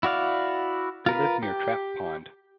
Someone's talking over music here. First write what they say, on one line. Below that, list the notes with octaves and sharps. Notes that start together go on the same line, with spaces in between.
They lived near Trap Pond.
E4 F#4 D5 F5
F4 A#4 B4
G4